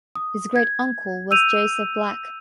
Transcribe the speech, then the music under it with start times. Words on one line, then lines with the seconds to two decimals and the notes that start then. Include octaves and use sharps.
His great uncle was Joseph Black.
0.15 D#6
0.56 G#6
1.31 E6 G6 D#7 F7